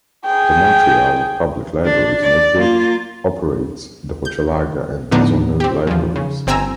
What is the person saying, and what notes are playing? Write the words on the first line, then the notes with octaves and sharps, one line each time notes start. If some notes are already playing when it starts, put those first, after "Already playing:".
The Montreal Public Libraries Network operates the Hochelaga and Maisonneuve libraries.
G#4 G5
D4
D5
A#3 F4
G6
A2 D3 F3 B3 D4 D#4
C4 G4
E2 F3
C#3
G1 C4 G#5 A#5 E6